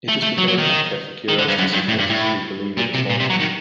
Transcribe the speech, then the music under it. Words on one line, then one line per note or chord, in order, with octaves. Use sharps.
It has become a mecca for curiosity seekers who believe it is haunted.
A3
A3
F#3
F#3
D#3
D#3
D3
G2
F#2
G2
A2
G2
A2
A#2
C3
A#2
C3
F#3
D#3